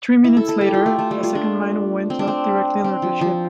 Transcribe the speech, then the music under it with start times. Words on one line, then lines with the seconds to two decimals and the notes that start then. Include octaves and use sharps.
Three minutes later, a second mine went off directly under the ship.
0.24 E4
0.37 A4
0.49 A4
0.61 G4
0.74 F4
0.86 A3
0.99 A3
1.11 G3
1.23 F4
1.35 D4
2.10 C4
2.19 D4
2.28 C4
2.84 C4
3.02 F3
3.21 F3